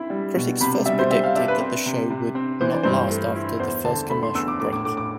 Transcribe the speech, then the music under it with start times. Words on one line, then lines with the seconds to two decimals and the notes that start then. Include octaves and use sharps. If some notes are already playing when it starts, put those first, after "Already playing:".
Critics first predicted that the show 'would not last after the first commercial break'.
Already playing: C4 E4 B5
0.10 G3
0.36 B2
0.61 C3 B5
0.86 G3 E5
0.99 C5
1.10 G3 E5
1.24 F5
1.36 D4 E5
1.48 B4
1.60 C4 B4
1.86 C3
2.10 C3
2.35 C4
2.61 E3 C5
2.72 D5
2.83 G2 C5
3.10 A3
3.35 E4
3.60 E2 C5
3.85 D3 A5
4.10 A3 B5
4.23 C6
4.35 E2 E6
4.48 D6
4.60 A2 D6
4.73 D6
4.85 A2 D6
4.97 D6